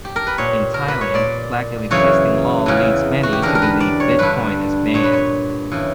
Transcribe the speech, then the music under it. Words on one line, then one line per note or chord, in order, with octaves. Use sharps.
In Thailand, lack of existing law leads many to believe Bitcoin is banned.
G4
A#4
B4
A#2 C#5
A#4
B4
C#5
A#2 D5
F#2 C#3 E3 C#5
E2 C#3 E3
F#4
G4
E2 D3 A#4
A#4
B4
D5
C#5
G2 D3 B4
A#2 C#5
B4
C#5
C#3 E3